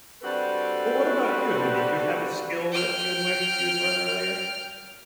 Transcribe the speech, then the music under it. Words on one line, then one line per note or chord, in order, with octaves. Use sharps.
Well, what about you? Did you have a skill that you had wished you had learned earlier?
G3 C4 D4 F#4 A4 B4
G5 F6